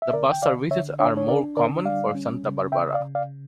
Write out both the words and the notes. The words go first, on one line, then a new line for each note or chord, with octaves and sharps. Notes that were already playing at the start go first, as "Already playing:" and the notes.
The bus services are more common for Santa Barbara.
E5
D3 A#4 D5
G5
D3 D5 F5
D3 C#5 E5
D4 C#5 E5
C#5
D4 A#4 D5
D3 A#4 D5
G3 D5 F5
C#4
C#3
C#3 E5 G5
D5 F5
C#3
D5 F5